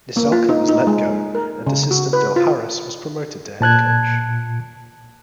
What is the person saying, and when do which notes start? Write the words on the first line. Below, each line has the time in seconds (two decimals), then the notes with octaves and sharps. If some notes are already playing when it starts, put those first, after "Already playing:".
Nissalke was let go, and assistant Del Harris was promoted to head coach.
0.17 A#3
0.32 F4
0.49 D#4
0.68 D#4
0.87 G#3
1.35 A#4
1.66 C#3
1.91 F#4
2.13 B4
2.36 F4
3.61 A#2 A5 F#6 G#6